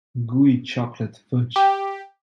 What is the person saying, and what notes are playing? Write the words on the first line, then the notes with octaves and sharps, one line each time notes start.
Gooey chocolate fudge.
G4